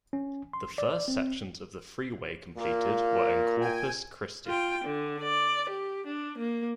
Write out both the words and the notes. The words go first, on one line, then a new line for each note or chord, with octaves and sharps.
The first sections of the freeway completed were in Corpus Christi.
C#4
C6
D5
C4
A#2 A#3
G5 G#5
F4 G5
D3
D5
G4
D4
A#3